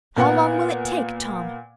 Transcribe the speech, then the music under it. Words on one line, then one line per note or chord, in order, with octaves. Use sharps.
"How long will it take, Tom?"
A#2 B3 F#5